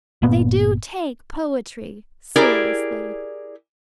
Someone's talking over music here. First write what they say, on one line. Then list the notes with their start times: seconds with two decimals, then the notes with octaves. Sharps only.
They do take poetry seriously.
0.22 G1 A#2 A#3 B3
2.36 E4 G4 G#4 A#4 D5